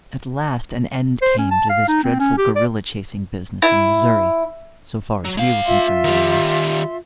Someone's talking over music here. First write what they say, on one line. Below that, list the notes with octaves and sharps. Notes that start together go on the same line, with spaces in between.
At last an end came to this dreadful guerrilla-chasing business in Missouri so far as we were concerned, anyway.
C5
C#4
A5
F5
D#4
C4
C#4
G4
D5
E4
F#3
G#3 F5
F4 E5 C6
D#3 G3